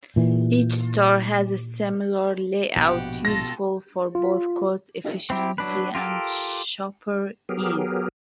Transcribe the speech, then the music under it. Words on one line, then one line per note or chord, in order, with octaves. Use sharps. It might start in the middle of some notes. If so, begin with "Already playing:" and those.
Each store has a similar layout, useful for both cost efficiency and shopper ease.
A#2 E3
A#1 G#2 B2 G4 F#5
F4 A4 A#6
F4
C4 E4 G4
F#3 D4 B4
F4 G4 A4 A#4
F#3 B3 G4 G#4 A#4